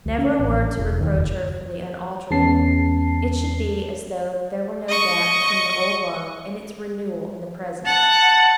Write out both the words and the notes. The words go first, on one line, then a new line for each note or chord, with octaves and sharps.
Never a word to reproach her for the unalterable; it should be as though there were no gap between the old love and its renewal in the present.
D2
C#4
A1
E1
D#2
F#1
E2 G#3 B3 C#4 A5 C7
D#5 C#6
F#5 A5